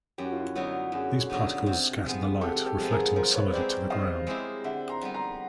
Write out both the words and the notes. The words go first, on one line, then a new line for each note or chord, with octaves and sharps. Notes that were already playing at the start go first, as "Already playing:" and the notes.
These particles scatter the light, reflecting some of it to the ground.
F#2 G4
F#4
F4
E4 F#4
D3 F#3 B3 D#4
F#2 F#4 G#4
D3 F#3 B3 D#4
C3
F3 G#3 B3
C3 G4 A4
G4 A4
F3 G#3 B3
G#4 A#4
F3 A#4 C5
B4 C#5
G#3 C4 E4 G4 C5 D5
F3 D#5 F5
G#3 C4 E4 G4
D3 E5 F#5
A#5 C6
G3 B3
A#5 C6